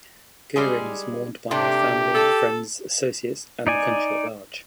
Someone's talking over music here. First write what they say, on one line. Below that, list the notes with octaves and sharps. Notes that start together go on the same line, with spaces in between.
Guerin is mourned by her family, friends, associates and the country at large.
G3 G#3 G#4
C3 A3 D4 G4
A4
D#4 D5 G#5